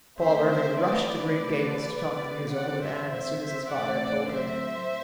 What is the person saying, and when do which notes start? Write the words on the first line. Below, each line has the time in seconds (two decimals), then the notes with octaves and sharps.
Paul Irving rushed to Green Gables to talk the news over with Anne as soon as his father had told him.
0.19 D3 A3 C4 C5 E5
0.49 C5 E5
0.78 E3 A3 C4 B4 D5
1.37 C3 E3 A3 C4
1.95 C3 E3 G3 B3 B4 D5
2.53 E3 G3 C4 D5 F#5
2.82 C5 E5
3.12 E3 G3 C4 C5 E5
3.41 C5 E5
3.70 A2 E3 A3 C4 D5 F#5
4.28 A2 F#3 C4 C5 E5